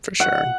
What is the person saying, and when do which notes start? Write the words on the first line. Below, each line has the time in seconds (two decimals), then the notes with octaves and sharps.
For sure.
0.20 F#5